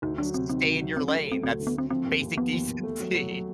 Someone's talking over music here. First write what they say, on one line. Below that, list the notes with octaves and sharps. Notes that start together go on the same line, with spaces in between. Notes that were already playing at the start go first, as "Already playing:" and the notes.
s s stay in your lane, that's basic decency.
D2 D#4
F#3 D4
C3 C4
D#3 C4
D#3
F#3
F#3 C4
C#4
A3
A3 C4
D2 C4
D3
B3
A3 C4
F3 C4
D#2
D#2
F3 B3
D#2
D#2
A3
F#3
F#3
F#3